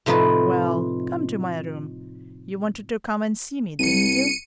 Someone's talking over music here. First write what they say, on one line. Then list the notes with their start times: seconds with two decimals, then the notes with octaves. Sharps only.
Well, come to my room; you wanted to come and see me, didn't you?
0.06 A2 C3 F3 D#4 B4 A5
3.79 C2 C#7 D#7